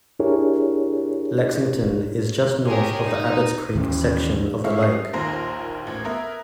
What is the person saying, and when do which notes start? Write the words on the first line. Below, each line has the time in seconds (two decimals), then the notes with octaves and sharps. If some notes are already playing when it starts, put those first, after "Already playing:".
Lexington is just north of the Abbotts Creek section of the lake.
0.19 D4 E4 G4 G#4 A#4 C#5
2.66 G4 G#4 A#4 C#5
3.04 D#4
3.75 D#2 E3 B3 C#4
4.64 C#2 G#3 E5 F5 C#6
4.78 C#4 D#6 C7
5.13 A#1 D#2 D#3 A#4 C5 A#6
5.87 A1 G#6
6.04 B3 A#4 E5